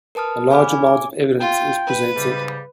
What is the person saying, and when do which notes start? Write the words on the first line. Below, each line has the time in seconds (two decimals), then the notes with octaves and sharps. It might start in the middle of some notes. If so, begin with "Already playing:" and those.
A large amount of "evidence" is presented.
0.15 A#4 B4 A5 D#6 F6
0.51 C#5 G#5 B5 D6 F6
0.72 G#5
0.87 D6
1.40 F4 G5
1.86 B4
2.16 G#2 C#3 G3